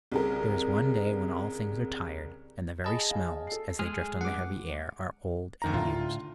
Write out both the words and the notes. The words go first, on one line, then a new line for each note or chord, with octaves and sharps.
There is one day when all things are tired, and the very smells, as they drift on the heavy air, are old and used.
C2 C#3 A#4
G#4 D#5 G#5 A5 B5 D#6
F5 G#5
A4 C7
G#3 G#4 F6
G2 F#5 D6
D2 D#3 A#5
A2 D3 F4